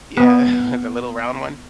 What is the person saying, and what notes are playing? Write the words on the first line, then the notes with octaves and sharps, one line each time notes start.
Yeah, the little round one?
B3